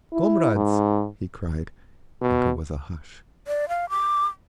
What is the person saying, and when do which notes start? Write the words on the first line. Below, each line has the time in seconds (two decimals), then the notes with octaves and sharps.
"Comrades!" he cried and there was a hush.
0.13 E4
0.55 G#2
2.22 B2
3.47 D5
3.69 F5
3.90 D6